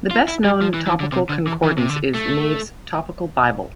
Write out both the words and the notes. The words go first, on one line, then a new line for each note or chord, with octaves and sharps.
The best-known topical concordance is Nave's Topical Bible.
F4
E4
G3
F3
E3
E3
D3
C3
D3
E3
E3
C3
D3
A3